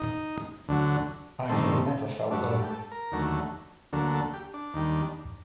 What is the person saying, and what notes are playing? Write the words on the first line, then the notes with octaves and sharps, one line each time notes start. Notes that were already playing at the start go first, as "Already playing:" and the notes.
I have never felt lonely.
Already playing: D#4
D2 D3 F#3
G2 D#3 A3 C4
G2 F#3 A3 D4
D4
G4
A4
A#4
D#2 D3 F#3 A3
D2 D3 F#3 A#3 A4
A4
G4
D4
D#2 D#3 G3